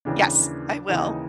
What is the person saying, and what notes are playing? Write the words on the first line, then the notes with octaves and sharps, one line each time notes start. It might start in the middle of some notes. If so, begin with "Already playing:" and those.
Yes, I will.
D#2 C#3 E3 D4
D#2 C#3 E3 D#4